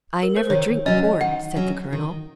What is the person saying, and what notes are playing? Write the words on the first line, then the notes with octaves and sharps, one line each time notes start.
"I never drink port," said the colonel.
A#4
C5
D#3 C#5
F#3 C#4 D#5
D#3 F#5
F#3 C#4
D#3